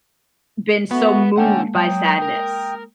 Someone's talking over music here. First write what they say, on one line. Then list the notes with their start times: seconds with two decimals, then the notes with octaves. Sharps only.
been so moved by sadness.
0.91 A3 B3 F#4 B4 F#5
1.37 G#3 A#3 C#4 D4 F#5 G5 A5
1.75 F#3 G5 D#6
2.22 A#4